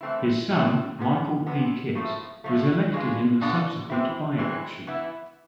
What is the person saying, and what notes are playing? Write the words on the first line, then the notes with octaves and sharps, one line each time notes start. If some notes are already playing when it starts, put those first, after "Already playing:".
His son Michael P. Kitt was elected in the subsequent by-election.
E3 A3 C4 E4
E3 A3 C4 E4
C3 G#3 B3
C3 G#3 B3
A2 F3 A3
A2 F3 A3
B2 G#3 B3 D4 F4
B2 G#3 B3 D4 F4
E3 G#3 C4 E4
E3 G#3 C4 E4
E3 B3 E4